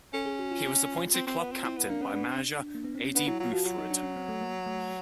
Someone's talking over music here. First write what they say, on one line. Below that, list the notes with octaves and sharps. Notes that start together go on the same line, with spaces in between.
He was appointed club captain by manager Aidy Boothroyd.
C#4 A4
G#4
F#4
F4
C4
C4
B3
C4
C4 E4
B3
A#3 D4
B3 C#4
B3 D4
C4
A#3
B3
C4
C#4
B3 D4
F#3 E4
F#3 F4
F3 F#4
F#3 F4
D#4
D4
C#4
C4
A3
A#3
A3